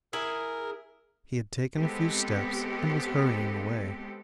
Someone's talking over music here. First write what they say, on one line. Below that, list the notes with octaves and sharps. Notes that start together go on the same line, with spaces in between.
He had taken a few steps, and was hurrying away.
E4 G#4 A#4
G#3 B3 C4 G4 A4